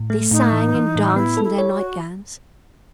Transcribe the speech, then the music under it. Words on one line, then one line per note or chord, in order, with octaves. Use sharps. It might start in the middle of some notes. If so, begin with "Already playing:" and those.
They sang and danced in their night-gowns.
Already playing: A2
A3
A2 D#4
E3
E3
A2
B3 E4
A4
E4
C#5
F#4